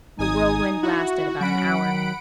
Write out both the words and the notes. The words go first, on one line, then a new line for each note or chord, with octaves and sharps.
The whirlwind lasted about an hour.
G#1 D#4 G#5 D#6 G#6
E4 F#4
F#3 C#4 F#5 B5 D7
D#3